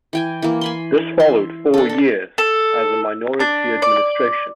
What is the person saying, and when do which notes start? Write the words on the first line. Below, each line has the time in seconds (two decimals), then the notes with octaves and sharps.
This followed four years as a minority administration.
0.13 E3 G5 G#5
0.42 E3 A#3
0.61 G#5 B5 C6
1.20 E5 C6
1.74 D4 A4
1.89 A4
2.38 A4
3.40 D4
3.82 D5